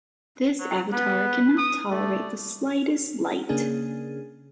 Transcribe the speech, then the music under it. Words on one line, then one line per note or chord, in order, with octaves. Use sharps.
This avatar can not tolerate the slightest light.
F#3
B3 B4
D#6
A3 D5
C#3 A#3 C#4 D4 G#4